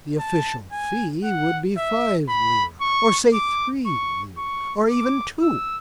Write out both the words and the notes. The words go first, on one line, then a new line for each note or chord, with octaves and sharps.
The official fee would be five lira--or say three lira--or even two.
A5
G#5
F#5
E5
B5
C#6
D6
C#6
C#6
D6
E6